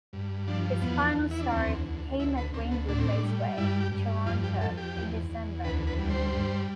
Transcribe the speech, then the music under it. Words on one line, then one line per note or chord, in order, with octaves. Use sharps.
His final start came at Greenwood Raceway, Toronto in December.
G2
F3 D4
E2 B3
E2
E4
D4
D2 C4
D2
D2 E4
B4
D2 C4
B3
A2 D4
C4
D4
G3
G2 E4
G4
G2
F2 F4
G4
F2 A4
G4
E2
E2
D2 B4
B4
G3
C5
G2